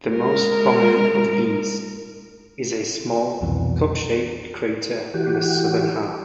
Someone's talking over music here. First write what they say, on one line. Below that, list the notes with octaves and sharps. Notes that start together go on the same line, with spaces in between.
The most prominent of these is a small, cup-shaped crater in the southern half.
G#3 A#4
C2 F2 B2 E3
E3 F#4 G4